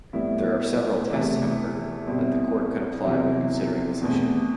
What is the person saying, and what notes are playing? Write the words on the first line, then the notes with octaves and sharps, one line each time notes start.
There are several tests, however, that the court could apply when considering this issue.
A2 G3 B3 E4
E2 C3 E3 A3
B2 G3 C4 E4
E2 C3 F#3 C4 E4
E2 B2 A3 C4